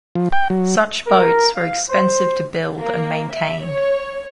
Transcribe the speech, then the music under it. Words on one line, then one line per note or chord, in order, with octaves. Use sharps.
Such boats were expensive to build and maintain.
F3
G5
F#3
A#4
F5
C5
A#3
E5
C#5